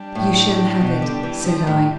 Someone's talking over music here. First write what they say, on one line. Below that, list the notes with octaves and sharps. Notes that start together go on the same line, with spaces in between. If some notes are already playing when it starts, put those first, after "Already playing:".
"You shall have it," said I.
Already playing: G3 D4 G4
A2
B2
D3
E3
F3
A2